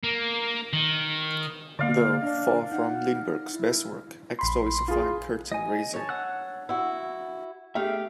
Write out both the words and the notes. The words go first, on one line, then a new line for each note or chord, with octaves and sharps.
Though far from Lindberg's best work, "Expo" is a fine curtain-raiser.
A#3
D#3
D3 A#3 D5 F5
D4 D#5
D#4 F#5
E4
A#1 B5 C6
F4 G#4
D#5 G#5
C#5 A5
F#5 E6 F#6
E4 F#4
A3 G4 G#4 E5 F5